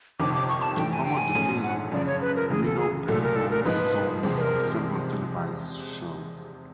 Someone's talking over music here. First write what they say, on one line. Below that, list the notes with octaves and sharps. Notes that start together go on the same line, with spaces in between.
To promote the single, Minogue performed the song on several televised shows.
G1 F2 C3 D#3 D6
D6
C#6
A5
G2 E3 A3 G5
G#5
G5
G#5
A#1 G#2 F3 A3 C#4
F#5
F#2 C#3 F3 D5
C#5
B4
A#4
D2 C#3 E3 G#4
A4
G#4
C2 A#2 F#3 A3 A4
A#4
A4
A#4
G#2 F3 A#3 D#4 B4
E2 C3 F3 G#3 C4
B4
A#4